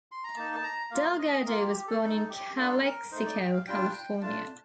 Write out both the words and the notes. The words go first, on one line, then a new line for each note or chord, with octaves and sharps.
Delgado was born in Calexico, California.
C6
A#5
A#3 D#4 A5
A5
A#5
A#3 F4 F5
D#5
A#3 F4 A#4
G4
G4
A4
A3 D#4 A4
G4
A#3 D4 F4 A4
A#4
A3 D#4 C5
D5
G5
F5
G3 D4 F4 G5
G5
A3 D4 F4 A5